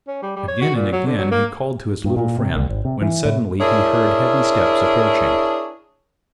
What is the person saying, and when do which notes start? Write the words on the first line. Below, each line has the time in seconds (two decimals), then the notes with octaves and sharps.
Again and again he called to his little friend, when suddenly he heard heavy steps approaching.
0.08 C#4
0.22 G3
0.36 G3
0.48 C#5
0.62 F#4
0.75 A#2
0.93 F#3
1.06 D3
1.18 F#3
1.31 A#3
2.04 G2
2.16 A#2
2.39 C3
2.56 C2
2.69 G#1
2.85 C3
3.02 E3
3.25 A2
3.60 D4 E4 G#4 A#4 C#5